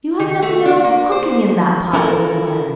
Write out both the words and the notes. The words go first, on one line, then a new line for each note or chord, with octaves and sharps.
You have nothing at all cooking in that pot over the fire.
D#3
A3
D4
A#3
C5
C#4 E4 F4 A4 A#4